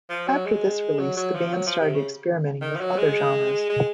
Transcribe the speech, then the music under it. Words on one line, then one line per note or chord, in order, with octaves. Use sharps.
After this release, the band started experimenting with other genres.
F3
F#3
G#3
F#3
F#3
F3
F#3
F3
C3
C#3
D#3
F3
F#3
G#3
G#3